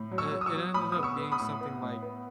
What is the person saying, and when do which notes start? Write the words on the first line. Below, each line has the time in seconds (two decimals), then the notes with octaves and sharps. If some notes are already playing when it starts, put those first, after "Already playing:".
uh, it ended up being something, like,
Already playing: A2
0.11 F#3
0.18 C#6 E6
0.32 F#3
0.41 D#6
0.46 C#6 E6
0.54 F#3
0.74 A2 B5 D#6
0.92 B3 D#6
1.03 C#6 E6
1.18 B3
1.32 B5 D#6
1.39 A2
1.61 B3
1.82 A2
2.03 B3